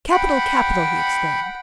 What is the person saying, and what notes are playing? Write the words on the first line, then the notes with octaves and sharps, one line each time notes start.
"Capital! capital!" he exclaimed.
F#5 G5 B5